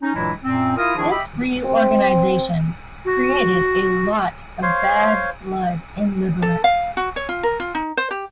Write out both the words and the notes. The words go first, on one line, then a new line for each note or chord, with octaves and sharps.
This reorganization created a lot of bad blood in Liberec.
C#4 D#4
G2 A#2 E3 F#3 G#3 E4
F#2 A#2 C4
E4 F4 A#4 D#6
D#3 F3 D4 E4 F#4 G#4
G4 D#5 E5 G5 B5
C4
F#4
C5 C#5 F5 C6
A4
F5
F#4
C#5
F4
A#4
F4
D#4
C5
G4